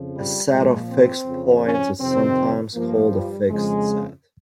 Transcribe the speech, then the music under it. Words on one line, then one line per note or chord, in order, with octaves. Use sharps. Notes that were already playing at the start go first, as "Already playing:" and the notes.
A set of fixed points is sometimes called a "fixed set".
Already playing: F2 C#3 F3
G3
A#2 F3 G#3
C4
F2 C#3 F3
C#4
F2 C3 D#3 C4
G2 F3 A#3
G3
F2 C#3 F3 G#3